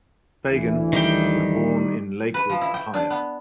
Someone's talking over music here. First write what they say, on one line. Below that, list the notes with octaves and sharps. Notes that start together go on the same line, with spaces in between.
Feighan was born in Lakewood, Ohio.
D2 E3
D#3 G3 G5
B4
F3
E4
G5
D4
B3